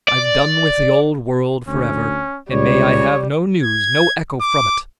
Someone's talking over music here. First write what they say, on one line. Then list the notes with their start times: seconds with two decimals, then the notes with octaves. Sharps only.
I've done with the old world for ever, and may I have no news, no echo, from it.
0.09 D5
1.67 D2 C#4
2.51 C#2 G3 C#5
3.63 G#6
4.41 D6